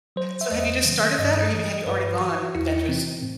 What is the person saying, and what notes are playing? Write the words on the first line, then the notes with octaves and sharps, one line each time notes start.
So, have you just started that, or, really, have you already gone adventures?
F#3 C5
E5
E2 D#5
C3 D#3 F#3
G2 D#5
E3
G2 B4
E3 F#4
E2 E4
C3 E3 C4
A2